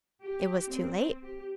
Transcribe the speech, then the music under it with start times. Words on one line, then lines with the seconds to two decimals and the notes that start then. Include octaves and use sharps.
"It was too late?"
0.23 G4
0.73 C4
1.23 G4